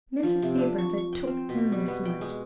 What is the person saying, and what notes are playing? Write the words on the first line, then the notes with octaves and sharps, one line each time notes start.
Mrs. Fairbrother took in this note.
F3
C3
D4
C#6
C#6
G5
C4
B2
G3
B3
G5
G#3